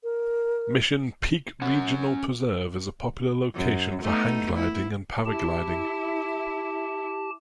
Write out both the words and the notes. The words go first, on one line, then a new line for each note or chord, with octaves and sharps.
Mission Peak Regional Preserve is a popular location for hang gliding and paragliding.
A#4
C#4 F#5
F#2
A3 B3 D#4
E4
E4 G4 A5